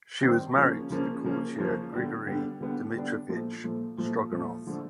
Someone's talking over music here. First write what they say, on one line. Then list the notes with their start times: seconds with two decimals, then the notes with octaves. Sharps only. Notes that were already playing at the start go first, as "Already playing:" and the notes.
She was married to the courtier Grigory Dmitriyevich Stroganov.
0.22 D#3 G3 C4
0.56 C#3 F3 A#3 C#4
0.90 C#3 F3 A#3 C#4
1.24 C#3 F3 A#3 C#4
1.58 C#3 F3 A#3 C#4
1.93 D3 G3 B3 D4
2.26 D3 G3 B3 D4
2.61 D3 G3 B3 D4
2.95 D3 G3 B3 D4
3.29 A#2 F3 A3
3.64 A#2 F3 A3
3.97 A#2 F3 A3
4.32 A#2 F3 A3
4.67 D3 F3 A3